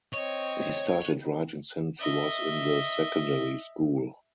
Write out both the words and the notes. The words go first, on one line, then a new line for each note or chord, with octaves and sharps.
He started writing since he was in the secondary school.
C4 C#5 D#5
D#5 E5